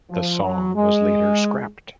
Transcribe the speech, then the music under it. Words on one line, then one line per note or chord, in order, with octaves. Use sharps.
The song was later scrapped.
F3
F#3
G#3